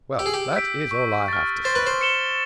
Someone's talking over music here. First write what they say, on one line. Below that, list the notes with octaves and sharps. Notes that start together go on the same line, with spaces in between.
Well, that is all I have to say.
G4 E6
G#4
G4
G6 B6 D7
C#6
F6 A6
C5 A6
B4
C5
C#7 E7 G7